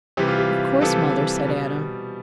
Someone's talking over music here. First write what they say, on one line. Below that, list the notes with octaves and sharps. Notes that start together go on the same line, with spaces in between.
"Of course, Mother," said Adam.
C3 E3 G3 G4
F4
G4
C3 E3 G3 A4
B2 G3